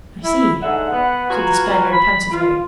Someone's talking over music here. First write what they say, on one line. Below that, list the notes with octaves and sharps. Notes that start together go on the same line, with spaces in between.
"I see," said the Spaniard pensively.
E4
G#2 D3 E5 F#5
B3 F#5
F4 F#4 B4 G#5 A#5
B5
F4